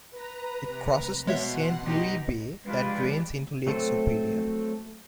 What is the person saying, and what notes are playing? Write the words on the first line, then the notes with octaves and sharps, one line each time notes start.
It crosses the Saint Louis Bay that drains into Lake Superior.
B4 A#5
C3
B2 G#3 C#5 E5 F#5 C6
B2 D#4 G4
G#3 D4 F4 G4 B4
F#3 A3 C4 A4 C5